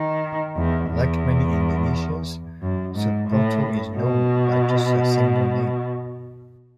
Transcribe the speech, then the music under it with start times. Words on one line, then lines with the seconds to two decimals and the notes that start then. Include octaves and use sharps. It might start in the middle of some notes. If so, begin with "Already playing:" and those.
Like many Indonesians, Subroto is known by just a single name.
Already playing: D#3
0.56 E2
0.89 E2
2.60 F#2
2.94 G#2
3.27 A2
3.96 B2